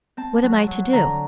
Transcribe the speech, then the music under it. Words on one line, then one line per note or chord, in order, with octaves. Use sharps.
"What am I to do?"
C4 A5
F#3
F#3
D3 A#5